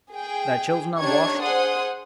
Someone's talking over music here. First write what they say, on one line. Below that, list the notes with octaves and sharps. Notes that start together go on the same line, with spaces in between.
Their children unwashed.
G#4 G5
D4 D#4 G4 C#5 C#6 G#6
G#4 C5 F#5 C6 D#6